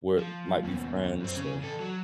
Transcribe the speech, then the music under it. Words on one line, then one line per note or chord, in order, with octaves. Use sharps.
where might be friends, so,
F3
D#2 B2
F#2 C4
C#3 C#4
E3 A4
F#3